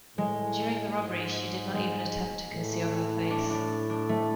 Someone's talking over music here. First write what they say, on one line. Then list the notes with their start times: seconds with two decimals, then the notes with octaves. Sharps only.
During the robbery, she did not even attempt to conceal her face.
0.17 A2 G#3
0.96 G#2
1.73 G#3
2.53 A2
3.30 D4
3.50 D4
3.90 D4
4.09 A3